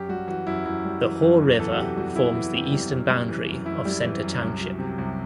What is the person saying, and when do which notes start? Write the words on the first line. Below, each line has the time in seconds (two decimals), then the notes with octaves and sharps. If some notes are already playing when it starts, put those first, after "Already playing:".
The Haw River forms the eastern boundary of Center Township.
Already playing: F#2 G4
0.09 G3 F#4
0.27 E3 F#4
0.47 F#2 E4
0.66 F#2 E4
0.85 G3
1.03 E3
1.22 F#2
1.41 E2
1.59 E3 A4
1.71 F#4
1.79 C3 G4
1.97 G3 F#4
2.16 E2 E4
2.35 E3
2.54 C3
2.72 G3
2.91 F#2
3.10 G3
3.29 E3
3.47 F#2
3.66 F#2 E4
3.85 G3
4.04 E3
4.23 F#2
4.42 C2
4.60 F#3
4.79 C3
4.98 C2